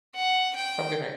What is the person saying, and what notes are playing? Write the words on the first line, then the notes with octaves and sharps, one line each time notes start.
Have a good night.
F#5
G5